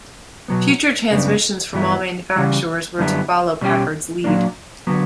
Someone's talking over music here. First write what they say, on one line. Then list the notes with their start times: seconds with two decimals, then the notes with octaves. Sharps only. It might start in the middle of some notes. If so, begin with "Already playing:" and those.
Future transmissions from all manufacturers were to follow Packard's lead.
0.48 B2 F#3 B3
1.11 F#2 C#3 G3 B3 D4
1.74 G2 E3 B3 E4
2.36 C#3 E3 G3
2.98 F#2 D3 G3 B3 E4
3.61 B2 G3 C#4 G4
4.24 A#2 F#3 A#3 D4
4.87 D3 F#3 B3